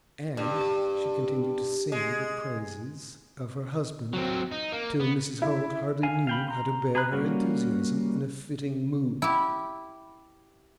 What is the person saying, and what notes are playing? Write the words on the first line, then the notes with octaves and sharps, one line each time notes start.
And she continued to sing the praises of her husband till Mrs. Holt hardly knew how to bear her enthusiasm in a fitting mood.
G2
G#3
F#3 C4
D#4
A#3
B3
E4
F5 G#5
F5 G5 B5
A#5 C6
G#4 A#5 B5 F#6
G3 A#3 C#4 F#4
E4 G4